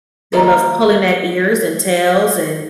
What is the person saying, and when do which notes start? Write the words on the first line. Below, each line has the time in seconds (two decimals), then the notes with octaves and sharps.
They love pulling their ears and tails and,
0.33 D#3 G3 A#3 D#5 E5 A#5